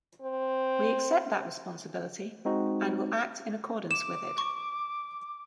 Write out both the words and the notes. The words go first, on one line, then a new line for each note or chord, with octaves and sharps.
We accept that responsibility and will act in accordance with it.
C4
G#3 C4 D#4 F#4
D6 E7
C#6